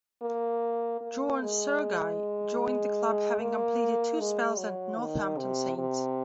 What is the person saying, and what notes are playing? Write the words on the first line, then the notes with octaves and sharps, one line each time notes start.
John Surguy joined the club having completed two spells at Northampton Saints.
A#3
A#3
G#3
A#3
G#3
F#3
D#3
C3
C3